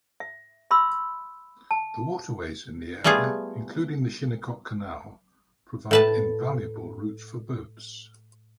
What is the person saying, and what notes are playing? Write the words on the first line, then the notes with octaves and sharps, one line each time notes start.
The waterways in the area, including the Shinnecock Canal, provide invaluable routes for boats.
E5
E5 B5 C6 E6
A5
G3 A3 B3 F4 G#4
A2 B4 A5